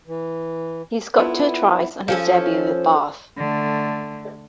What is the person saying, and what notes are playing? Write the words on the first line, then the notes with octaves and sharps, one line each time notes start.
He scored two tries on his debut with Bath.
E3
B3 D4 E4 F4 A4 B4
F3 C#4 A4
D3 A3